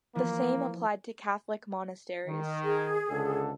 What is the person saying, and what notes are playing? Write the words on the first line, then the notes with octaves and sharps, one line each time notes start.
The same applied to Catholic monasteries.
E3 F3 A#3
D#3
G#4
C#2 D3 A4